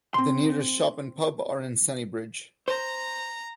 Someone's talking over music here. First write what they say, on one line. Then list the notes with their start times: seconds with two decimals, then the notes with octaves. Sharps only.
The nearest shop and pub are in Sennybridge.
0.14 C4 C6
2.68 C5 A#5